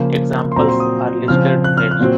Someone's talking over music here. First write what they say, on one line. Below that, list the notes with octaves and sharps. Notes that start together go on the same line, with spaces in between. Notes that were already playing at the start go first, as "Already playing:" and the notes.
Examples are listed next.
Already playing: C#3 F3 A#3
C6
A#2 F#3 C4 A#5
C6
D#6
C#3 F3 C4 F6
F#6
F6
F#6
A#2 F#3 C4